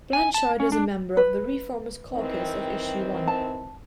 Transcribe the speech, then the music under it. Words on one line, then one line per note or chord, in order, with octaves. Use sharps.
Blanchard is a member of the ReFormers Caucus of Issue One.
G#5
A5
C#4
D4
B4
D#3 E3 C4
A5